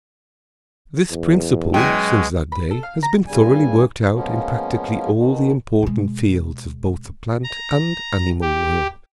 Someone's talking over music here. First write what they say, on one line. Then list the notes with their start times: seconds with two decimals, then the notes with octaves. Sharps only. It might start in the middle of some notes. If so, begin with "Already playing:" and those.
This principle, since that day, has been thoroughly worked out in practically all the important fields of both the plant and animal world.
1.11 E2
1.74 F#2 B2 G#3 G5
2.52 B5
2.71 A4
2.83 F5
3.03 A#5
3.27 E2 G2 C#3 G3 G#5
4.14 F3 G#3 A#3 B3 C#4
5.16 B2 D#3
5.83 B2 G#3
7.43 A#5
8.42 G4